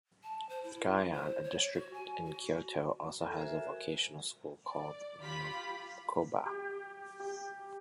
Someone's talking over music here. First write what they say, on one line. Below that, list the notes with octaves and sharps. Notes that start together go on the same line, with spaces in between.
Gion, a district in Kyoto, also has a vocational school, called "Nyokoba".
A5
C5
E4
C5
C#5
F#4
G#5
F#4
A4 A#4
F#4 C5 E5 G#5
D5
F4 G4 B5 B6
G4
G4